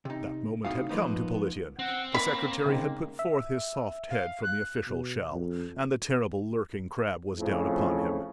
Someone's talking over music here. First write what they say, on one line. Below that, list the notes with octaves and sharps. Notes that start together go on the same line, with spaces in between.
That moment had come to Politian: the secretary had put forth his soft head from the official shell, and the terrible lurking crab was down upon him.
C3 D#4
A2 C3 E3 D#4 F#4 F5
F3 A#3 B3 D#4
C4 F#5
A#3 B5
C#3 C4 D#4
E5
F5
F#6
B2
F2
F2 A2 C#3 F3